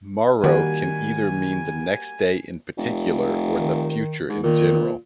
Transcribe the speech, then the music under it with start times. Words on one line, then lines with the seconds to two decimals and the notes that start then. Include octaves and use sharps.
Morrow can either mean the next day in particular, or the future in general.
0.44 D#3 G3 A#3 F#4 G#5
2.77 F1
3.55 D#3
4.29 G#2
4.43 A#2 D#3